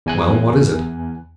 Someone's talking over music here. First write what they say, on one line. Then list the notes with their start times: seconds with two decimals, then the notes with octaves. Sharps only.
"Well, what is it?"
0.06 E2 G#5 F#6